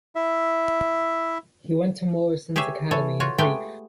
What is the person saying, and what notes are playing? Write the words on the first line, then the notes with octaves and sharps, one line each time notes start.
He went to Morrison's Academy in Crieff.
E4 E5
G4 G#4 B4 C#5 E5
E3 A4 C#5
F4 F#4 C#5
G#3 A3 B3 G4 G5 G#5